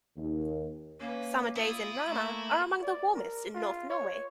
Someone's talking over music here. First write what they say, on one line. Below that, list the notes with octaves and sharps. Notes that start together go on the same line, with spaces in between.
Summer days in Rana are among the warmest in North Norway.
D#2
A#3 C#4 B4
E4 F4 D#6
A3 A#3 A4
D5
A#4
F4
C#5